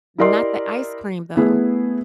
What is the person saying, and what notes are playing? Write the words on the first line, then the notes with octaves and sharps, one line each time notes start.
not the ice cream though,
E4 G4 A#4 D5 D#5 C6
A3 B3 E4 G#4